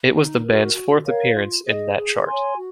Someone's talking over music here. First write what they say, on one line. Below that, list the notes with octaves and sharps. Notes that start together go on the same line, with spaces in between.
It was the band's fourth appearance in that chart.
D#4
F#4 A#4
F#4
A#4 C#5 F5
F4
G#4 D#5
G#4
C#5 G#5 C6
F#4